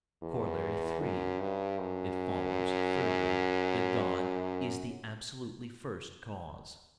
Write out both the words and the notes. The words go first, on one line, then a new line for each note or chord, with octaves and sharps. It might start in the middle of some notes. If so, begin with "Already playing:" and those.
Corollary III.--It follows, thirdly, that God is the absolutely first cause.
E2
F#2
G2
F#2